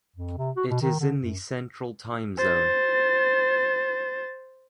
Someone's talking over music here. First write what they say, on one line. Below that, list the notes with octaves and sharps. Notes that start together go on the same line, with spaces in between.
It is in the Central time zone.
F2
C3
F#4
B2
D#3
D3
F#2
C5 A6